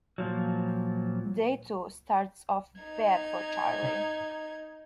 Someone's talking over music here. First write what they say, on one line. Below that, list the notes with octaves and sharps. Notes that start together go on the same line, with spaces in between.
Day two starts off bad for Charlie.
A#2 F3 F#3
D#4 G#6